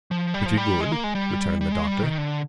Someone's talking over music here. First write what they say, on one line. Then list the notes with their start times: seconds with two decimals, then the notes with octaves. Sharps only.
"Pretty good," returned the Doctor.
0.11 F3
0.34 G3
0.46 F3
0.57 G3
0.81 G#3
0.92 A#3
1.04 G#3
1.15 G3
1.61 G3
1.72 G#3
1.87 G3
2.03 D#3
2.18 D3